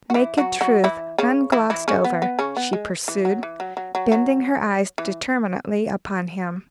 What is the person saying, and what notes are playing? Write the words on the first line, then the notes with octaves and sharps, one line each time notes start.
"Naked truth, unglossed over," she pursued, bending her eyes determinately upon him.
F#4
E3 E4
F#3 F#4
F#3 F#4
E3 E4
C#3 C#4
E3 E4
E3 E4
C#3 C#4
B3
B3
C#3 C#4
B3
G#3
E3
F#3
E3
F#3
F#3
F#3
F#3
E3